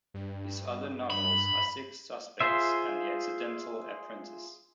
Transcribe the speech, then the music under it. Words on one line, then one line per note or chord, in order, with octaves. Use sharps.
His other novels are "Six Suspects" and "The Accidental Apprentice".
G2
B5
F4 G#4 C5 E5